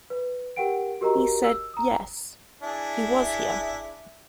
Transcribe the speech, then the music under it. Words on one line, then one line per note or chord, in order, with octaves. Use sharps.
He said, yes, he was here.
B4
G4 A#4 F#5 G5 D7
F#4 G4 A#4 D#5 A#5
E6
A#5 D#6
D4 E4 G#4